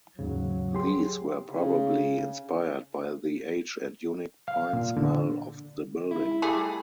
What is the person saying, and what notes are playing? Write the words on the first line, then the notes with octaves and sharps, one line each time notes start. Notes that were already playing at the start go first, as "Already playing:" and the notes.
These were probably inspired by the age and unique pine smell of the building.
D#2 G#2 C#3 F#3
G4 G#4 C6
C#3
F5
A#2
D3
E4
G3 A3 G#4